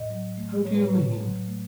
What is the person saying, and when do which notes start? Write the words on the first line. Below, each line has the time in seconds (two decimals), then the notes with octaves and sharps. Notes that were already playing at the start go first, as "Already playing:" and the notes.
"How do you mean?"
Already playing: A2 D#5
0.10 F#3
0.37 A3
0.65 A2 C#5
0.74 B4
0.82 C#5
0.92 A2
1.21 F#3
1.48 A3